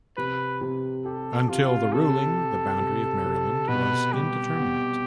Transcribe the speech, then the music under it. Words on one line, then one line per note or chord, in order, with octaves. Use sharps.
Until the ruling, the boundary of Maryland was indeterminate.
C3 B4
C3
G4 A4
C3 F4
C3 A4
G4
C3
C3
B2 B4
G3 G4
B3